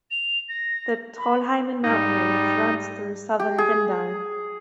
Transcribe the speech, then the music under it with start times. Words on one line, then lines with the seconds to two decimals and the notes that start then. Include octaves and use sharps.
The Trollheimen mountain range runs through southern Rindal.
0.10 F7
0.48 A#6
1.18 B5
1.84 G#2 G3 D#4
3.40 G4
3.58 G#4